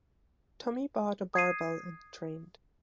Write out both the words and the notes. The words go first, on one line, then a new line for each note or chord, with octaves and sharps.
Tommy bought a barbell and trained.
D#6 G#6 C7 D#7